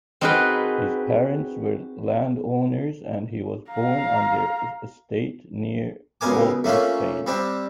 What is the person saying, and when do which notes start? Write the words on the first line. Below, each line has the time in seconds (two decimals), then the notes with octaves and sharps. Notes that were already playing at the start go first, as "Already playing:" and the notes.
His parents were landowners and he was born on their estate near Wolkenstein.
0.21 C4 D#4 F#4 G#4 A#4 B4
3.71 F5 A#5
6.21 C#2 B2 A#4 G#5 D6
6.64 A3 A#3 C#4 F4
7.27 G3 C4 D4